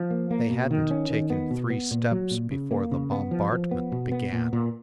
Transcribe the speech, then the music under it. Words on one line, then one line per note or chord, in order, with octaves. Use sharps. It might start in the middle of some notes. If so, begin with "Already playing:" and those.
They hadn't taken three steps before the bombardment began.
Already playing: F3
A#3
A#3
B2
D#3
C#4
D#3
B3
B2
B3
A#2
F#3
A#2
C#3
A#3
C#3
B3
F3
F3
B3
B2
B3
A#2
A#2